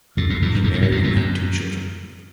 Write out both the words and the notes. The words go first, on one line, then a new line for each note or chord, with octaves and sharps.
He married and had two children.
F#2 A2
F#2 A2
E2 G#2
F#2
E2 G#2
F#2 A2
G#2 B2
F#2 A2
F#2 A2
F#2